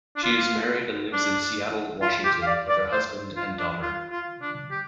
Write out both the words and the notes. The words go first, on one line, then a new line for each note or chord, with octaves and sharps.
She is married and lives in Seattle, Washington with her husband and daughter.
D4
F4
D4
F4
G4
F5
D5
D5
C5
F4
D4
F4
F4
D4
G4